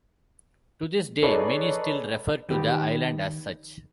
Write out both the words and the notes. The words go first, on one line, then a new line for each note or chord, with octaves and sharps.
To this day, many still refer to the island as such.
D#4 G#4 A4 B4 C#5 D5
D#3 G4 B4